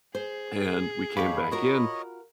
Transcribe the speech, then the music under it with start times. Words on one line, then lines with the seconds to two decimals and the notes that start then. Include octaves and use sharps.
And we came back in,
0.15 G#4 C5
1.17 F2 G4 C#5 F5 B5
1.51 F4 F#4 A#4 C#5 D#5